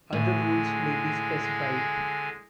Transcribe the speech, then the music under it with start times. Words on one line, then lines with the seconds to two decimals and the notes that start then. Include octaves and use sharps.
Other rules may be specified.
0.13 A2 D3 G#3 G#5